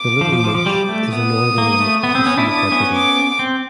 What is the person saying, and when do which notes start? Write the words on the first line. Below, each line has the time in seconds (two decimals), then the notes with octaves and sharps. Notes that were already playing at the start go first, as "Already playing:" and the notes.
The Little Minch is the northern limit of the Sea of the Hebrides.
Already playing: D6
0.21 F3
0.32 F3
0.44 F3
0.55 F3
0.66 G3
0.89 A3
1.12 B3 D#6
1.58 A#3
1.81 A3
2.03 B3 D#6
2.15 C4
2.25 B3 C#4
2.37 D4 E4
2.48 D4 E4 D#6
2.72 B3 C#4
2.94 D6
3.39 C4